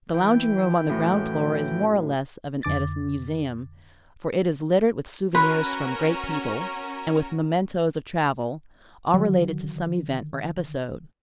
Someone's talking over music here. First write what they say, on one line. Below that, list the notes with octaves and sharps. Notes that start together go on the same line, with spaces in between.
The lounging-room on the ground floor is more or less of an Edison museum, for it is littered with souvenirs from great people, and with mementos of travel, all related to some event or episode.
E3 G5
F#2 A2
F2 D3 D6 A6
C#4 F#4 A#4 B4 B5 C6
D3 D#3 F#3